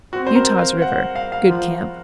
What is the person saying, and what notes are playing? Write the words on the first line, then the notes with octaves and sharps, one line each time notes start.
Utah's River.--Good camp.
C4 F#4
C5
A#4
F5
F#5
F5
F5
F3